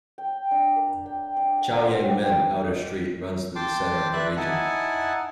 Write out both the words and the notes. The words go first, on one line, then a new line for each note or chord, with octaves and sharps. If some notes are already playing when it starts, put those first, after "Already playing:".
Chaoyangmen Outer Street runs through the centre of the region.
G5
D4
A#4
G5
D4
F#5
C5
G4
D4
D#5
G5 A5 C6 D6
B4 D5 E5 A5 F#6
D#4 E4 F#5 G#5 A5